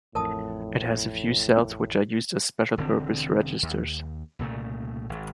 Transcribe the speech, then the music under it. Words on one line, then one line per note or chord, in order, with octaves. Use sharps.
It has a few cells which are used as special-purpose registers.
A1 F2 A2 A#4 A5 D#6
E1 D3 C4
D#2
C2 A#2 C#3 A3
G#1